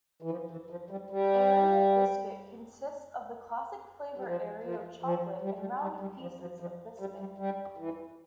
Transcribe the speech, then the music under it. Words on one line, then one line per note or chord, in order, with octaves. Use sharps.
Aero Biscuit consists of the classic flavour Aero chocolate and round pieces of biscuit.
E3
F3
E3
F3
G3
G3
G3
F3
F3
F3
G3
G3
G3
G3
F3
F3
F3
G3
G3
G3
E3